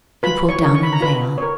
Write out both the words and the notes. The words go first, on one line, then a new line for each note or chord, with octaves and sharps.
She pulled down her veil.
F4 B4 B5
C#5 C#6
A#4 C#5
C#6
B5
A#5
F4 B4 B5
A#4 C#5